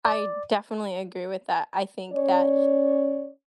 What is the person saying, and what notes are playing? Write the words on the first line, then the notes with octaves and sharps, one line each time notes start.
I definitely agree with that, I think that,
D5
C#4 C#5 D5